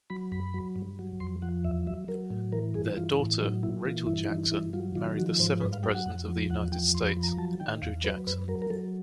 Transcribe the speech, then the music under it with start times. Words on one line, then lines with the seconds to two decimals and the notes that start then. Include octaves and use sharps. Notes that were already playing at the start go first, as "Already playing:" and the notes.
Their daughter, Rachel Jackson, married the seventh President of the United States, Andrew Jackson.
0.10 F#3 B5
0.32 F#2 B5
0.54 F#3
0.76 G2
0.99 F#3
1.20 F2 C6
1.42 F3 F#5
1.64 E2 E5
1.87 F#3 E5
2.08 F#3 A#4
2.30 A2
2.52 E3 A#4
2.74 G2 G#4
2.97 E3 F4
3.19 A2
3.40 F#3 D#4
3.63 A#2 E4
3.85 E3 F4
4.07 G2 E4
4.25 E4
4.29 E3 D#4
4.51 G2 E4
4.73 F#3 F4
4.95 D#3 F4
5.17 F3 F#4
5.39 G#2 C5
5.61 G2 B4
5.73 F5
5.83 F#3 G5
5.95 F#5
6.06 F2
6.28 F3
6.50 E2 F#5
6.72 F3 G5
6.94 F2 C6
7.09 B5
7.17 F3
7.23 A#5
7.38 F#3 A5
7.60 D#3 G5
7.82 E2 F5
8.04 F#3 B4
8.27 F#2 B4
8.48 F#3 A#4
8.62 A#4
8.70 F#3 A4